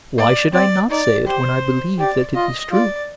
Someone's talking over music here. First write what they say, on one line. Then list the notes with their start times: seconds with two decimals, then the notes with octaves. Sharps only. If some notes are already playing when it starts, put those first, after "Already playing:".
Why should I not say it when I believe that it is true?
0.18 A#3 D5
0.53 C4 D5
0.90 D#4 D5
1.26 G4 C5
1.99 G4 D5
2.35 F4 D#5
2.72 F4 D5